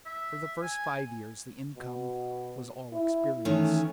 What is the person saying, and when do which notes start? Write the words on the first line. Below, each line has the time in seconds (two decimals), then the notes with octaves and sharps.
For the first five years the income was all experience.
0.06 E5
0.62 G#5
1.77 B2
2.93 E4
3.45 D#3 E3 A3 C#4